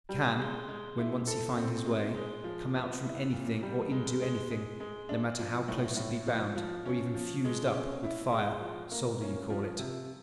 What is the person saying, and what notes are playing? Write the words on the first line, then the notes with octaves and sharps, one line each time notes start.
He can, when once he find his way, come out from anything or into anything, no matter how close it be bound or even fused up with fire--solder you call it.
G3
G#3
G#3
E4
A4
C4
G#3
G#3
F3
B3
E4
A#2
G3
G#3
G#3
G#3
G#3
D4
F3
A2
A2
F3
F3
C#4
F3
G#3
C#4
E4
G#3
F3
A#3
C#4
F3
C3